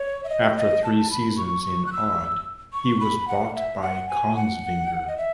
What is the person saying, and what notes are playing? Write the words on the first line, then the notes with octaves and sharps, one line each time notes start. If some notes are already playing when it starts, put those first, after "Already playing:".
After three seasons in Odd he was bought by Kongsvinger.
Already playing: C#5
E5
D#5
D#5
A5
B5
C#6
C#6
F#6
E6
C#6
B5
F#5
E5
F#5
G#5
F#5
D#5
E5